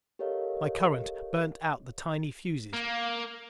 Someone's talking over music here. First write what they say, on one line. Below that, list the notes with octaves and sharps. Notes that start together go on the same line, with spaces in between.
My current burned out the tiny fuses.
G4 A4 A#4 C#5 D#5 F5
A#3